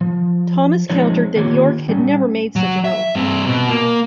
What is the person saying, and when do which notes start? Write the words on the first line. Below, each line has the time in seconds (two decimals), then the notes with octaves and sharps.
Thomas countered that York had never made such an oath.
0.01 F3
0.90 F3 G#3 C4 D#4 C#5
1.36 D3 D#3 A#3 F4 G4 C#5
1.89 G3 C#4
2.56 F#3
2.84 E5
3.15 G2 C4
3.46 B2
3.70 A#3